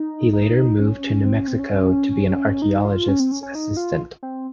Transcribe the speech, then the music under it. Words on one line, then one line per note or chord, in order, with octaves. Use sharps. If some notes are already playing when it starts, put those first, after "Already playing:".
He later moved to New Mexico to be an archeologist's assistant.
Already playing: D#4
D#4
C#4
C4
C#4
C4
C#4
D#4
F4
C#4
C4
C#4
C#4
D#4
F4
C4